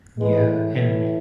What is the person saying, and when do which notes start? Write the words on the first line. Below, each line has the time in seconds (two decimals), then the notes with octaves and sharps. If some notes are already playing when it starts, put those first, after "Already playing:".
Yeah, and
0.19 A2 E3 G#3 B3